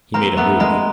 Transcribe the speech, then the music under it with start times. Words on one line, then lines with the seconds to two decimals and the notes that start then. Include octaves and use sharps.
He made a move.
0.14 A#3 C4 A#5
0.37 A3 B3 A#5
0.60 G#3 A#3 A#5